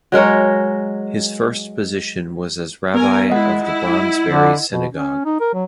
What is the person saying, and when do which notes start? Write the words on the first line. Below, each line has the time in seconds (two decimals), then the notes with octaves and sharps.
His first position was as rabbi of the Brondesbury synagogue.
0.12 F#3 G#3 A#4 C#5
2.94 B3 A#4 G#5
3.29 G#3 E4 D#5 F#5
3.64 E4
4.26 D3
4.71 B2
4.92 C#4
5.25 D#4
5.41 A#4
5.54 F#3